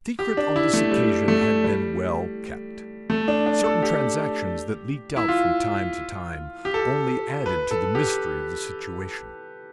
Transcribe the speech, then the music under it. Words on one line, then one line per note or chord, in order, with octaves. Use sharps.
The secret on this occasion had been well kept. Certain transactions that leaked out from time to time only added to the mystery of the situation.
G4
D4
E4
A3
G3
A3
G3
A3
D4
D4
A4
G4
E4
F4
G4
A4
B4
A4
G4